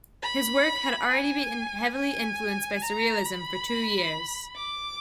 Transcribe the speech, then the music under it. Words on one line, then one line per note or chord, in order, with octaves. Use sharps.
His work had already been heavily influenced by surrealism for two years.
B5
G#5
G#5
A#5
B5
D6